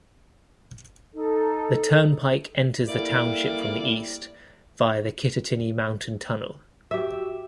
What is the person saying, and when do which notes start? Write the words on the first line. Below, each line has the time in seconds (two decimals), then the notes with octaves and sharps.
The turnpike enters the township from the east via the Kittatinny Mountain Tunnel.
1.13 D#4 A4
2.88 G3 A3 A#3 E4 D5
6.91 F#4 G4 E5